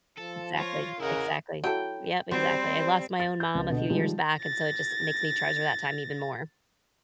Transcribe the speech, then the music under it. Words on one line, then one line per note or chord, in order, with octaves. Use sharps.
Exactly, exactly. Yep, exactly. I lost my own mom a few years back, and so it just makes me treasure that time even more.
F3 A4
F4 C#5 A#6
C#3 E4 A#4 D#5 F#5 G#5
F#3 E4 A4 G5
F#3 G3 C4 C5
A6
G6
C#2
B2 D3 B3 D#5
D#3 F3 G3 G#3
A6 A#6